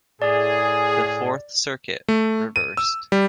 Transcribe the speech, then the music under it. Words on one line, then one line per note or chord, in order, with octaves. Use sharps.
The Fourth Circuit reversed.
A2 G#4 D5
A3
D#7
E6
G3